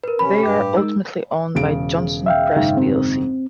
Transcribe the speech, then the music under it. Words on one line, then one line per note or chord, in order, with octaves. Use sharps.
They are ultimately owned by Johnston Press plc.
A#4 B4
C3 C#4 B5
G2 G4
A2
G#3 D#4 A#4 E6
E1 C#3 D7
E5 F5 G5
F#1 G#2 D#3
C4